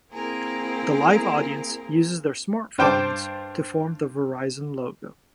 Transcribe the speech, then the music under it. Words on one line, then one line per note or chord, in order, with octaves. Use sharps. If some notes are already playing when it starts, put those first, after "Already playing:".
The live audience uses their smartphones to form the Verizon logo.
A#3 C4 E4 G#4 A#4
G2 C5 G5 A5 D6